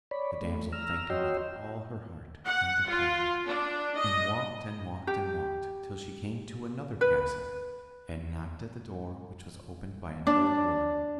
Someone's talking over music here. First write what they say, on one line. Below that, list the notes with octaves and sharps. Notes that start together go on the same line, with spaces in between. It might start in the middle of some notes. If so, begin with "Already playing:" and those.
The damsel thanked him with all her heart, and departed, and walked and walked and walked, till she came to another castle, and knocked at the door which was opened by an old woman.
C#5 D5 B5
A3
A#5 E6 F6
F#4 C#5 D#5 G5 C6 E6
F#5
F4
D4
D#5
G4
B4
D4